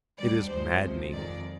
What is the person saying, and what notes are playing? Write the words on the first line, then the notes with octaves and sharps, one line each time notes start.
It is maddening.
D2 D3 G3 D5
G2 F3 G#3 C5
C2 C3 F3 G#3
F2 D#3 G#3 D5